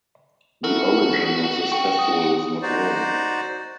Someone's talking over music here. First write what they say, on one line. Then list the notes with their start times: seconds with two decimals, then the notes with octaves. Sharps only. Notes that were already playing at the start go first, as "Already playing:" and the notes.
The origin of this festival is not known.
0.64 E4 F#4 A4 A#4
0.79 C#7
1.72 G5 C#6
1.99 D#6
2.62 D#4 F#4 C5 D5